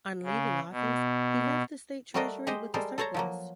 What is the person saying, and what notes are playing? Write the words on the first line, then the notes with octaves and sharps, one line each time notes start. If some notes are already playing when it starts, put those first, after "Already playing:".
On leaving office, he left the state treasury with a surplus.
C#3
B2
G3 A3 F#4 A4 A#4 D#5
G#3 G4 C5 D#5
G3 G#3 A4 A#4 C5
A4 C5 C#5 A5 A#5
F3 F#3 A#3